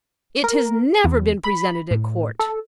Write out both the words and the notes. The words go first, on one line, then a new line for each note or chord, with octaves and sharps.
"It has never been presented at court."
A#4
E2
B5
A2
A4